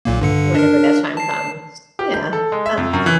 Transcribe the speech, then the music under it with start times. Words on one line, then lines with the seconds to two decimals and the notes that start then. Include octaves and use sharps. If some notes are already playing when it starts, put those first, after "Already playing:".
whenever that time comes. Yeah, uh
0.05 B1 A#2 A#3
0.21 G2 D3 C#7
0.55 D4 A#4
1.17 A5 C7
1.99 G4
2.14 G6
2.33 A4
2.52 G#3
2.66 E5
2.77 F2
2.93 F#2
3.06 E3